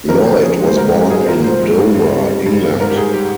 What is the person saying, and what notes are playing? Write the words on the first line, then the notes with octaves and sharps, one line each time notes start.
Lloyd was born in Dover, England.
F2 A#4
C#3 C5
F2 G#4
G#3
C5
G#2 A#4
G#3 G4
A#4
G#2 G#4
C5
F3 A#4
G#2 C5
G#3
G2
G2
G3
G3
G2
G2
G#2 A#4
G4
G#2 G#4
G3 G4